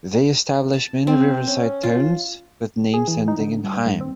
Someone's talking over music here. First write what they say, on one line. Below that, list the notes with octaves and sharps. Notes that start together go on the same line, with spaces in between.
They established many riverside towns with names ending in "-heim".
A5
C4
C#4
F4
G#4
E3
D#4
D3
G2
G2
C4